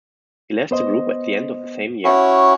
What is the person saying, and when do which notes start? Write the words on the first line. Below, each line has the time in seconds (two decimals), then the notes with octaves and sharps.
He left the group at the end of the same year.
0.71 B3 C5 D#5
2.04 C#4 E4 F#4